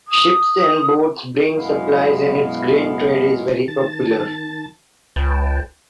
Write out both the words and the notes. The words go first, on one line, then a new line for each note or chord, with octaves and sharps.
Ships and boats bring supplies and its grain trade is very popular.
D#6
F#2 B2 G#3 B3 E4 F5
D#3 A5 A6
C#2 B4 G5 A5